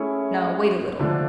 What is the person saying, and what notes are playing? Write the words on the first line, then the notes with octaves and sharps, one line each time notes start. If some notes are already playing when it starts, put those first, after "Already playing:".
No, wait a little.
Already playing: A3 C#4 E4 G#4 C#5
D3 F3 A3 D4